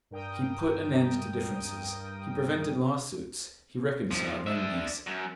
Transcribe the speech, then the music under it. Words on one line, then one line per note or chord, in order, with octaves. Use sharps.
He put an end to differences, he prevented lawsuits, he reconciled enemies.
G2 A#4 G5 D#6
D#2 F3
D4 E5
F#2